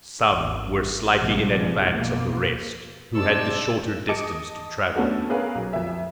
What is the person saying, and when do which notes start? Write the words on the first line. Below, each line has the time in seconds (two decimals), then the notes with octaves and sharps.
Some were slightly in advance of the rest, who had the shorter distance to travel.
0.28 G#1
1.19 A#1 G2 C3 F3 G#3
1.95 B2 A#3
3.15 G#2 C3 D5 A5 E6
4.09 D#5 A5 D6 D#6 C#7 D7
4.96 A3 B3 C#4 D4 F#4 A4
5.29 B3 C#4 G#4 A#4 B4 F5
5.55 B1
5.73 F2 E5